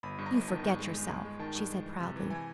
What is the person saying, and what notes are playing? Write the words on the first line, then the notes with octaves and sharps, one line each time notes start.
"You forget yourself," she said proudly.
G1 B5
G2
A#5
G1
D#3 A5
G2
G#3
G#3
G#3
G#3
D#3 A5
G2
G#3
E3
C3
E3
E3 G#5